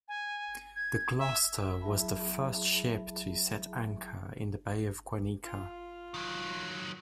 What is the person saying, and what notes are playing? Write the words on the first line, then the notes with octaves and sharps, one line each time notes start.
The "Gloucester" was the first ship to set anchor in the Bay of Guanica.
G#5
G#6
E5
F#3 E4 G#4 E5 A5 B5
F4
D#3 F#3